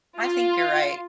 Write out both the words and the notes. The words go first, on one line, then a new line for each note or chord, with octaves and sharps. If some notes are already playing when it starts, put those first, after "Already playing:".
I think you're right.
F4